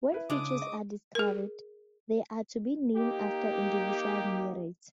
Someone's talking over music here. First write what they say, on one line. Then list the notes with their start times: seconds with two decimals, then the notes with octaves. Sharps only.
When features are discovered, they are to be named after individual nereids.
0.12 E4 B4 E5
0.30 C#3 G#3 D4 D6 D#6
0.62 D#5 C#6
1.15 G#4 A#4
2.96 A#3 D#4 G4